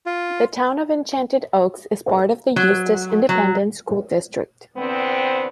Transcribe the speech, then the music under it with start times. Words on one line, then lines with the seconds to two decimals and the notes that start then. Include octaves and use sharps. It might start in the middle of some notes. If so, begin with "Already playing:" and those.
The Town of Enchanted Oaks is part of the Eustace Independent School District.
0.06 F4
2.56 F#3
3.29 F#3
4.77 E2 D3 B3 C4